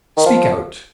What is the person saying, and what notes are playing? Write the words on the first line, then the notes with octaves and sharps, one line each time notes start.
"Speak out."
D#3
F3